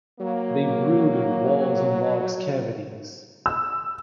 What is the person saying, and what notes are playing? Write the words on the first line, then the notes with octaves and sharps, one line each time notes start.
They brood in walls and logs cavities.
F#3 A#3
E6